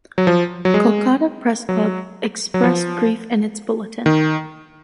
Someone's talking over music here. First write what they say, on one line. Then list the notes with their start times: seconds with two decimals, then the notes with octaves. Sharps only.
Kolkata Press Club expressed grief in its bulletin.
0.18 F#3
0.27 F3
0.65 F#3
0.74 G#3
1.69 F#3
2.54 F#3
2.64 F3
4.06 D#3